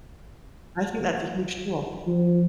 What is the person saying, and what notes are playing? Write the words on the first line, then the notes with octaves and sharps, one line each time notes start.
I think that's a huge tool.
F3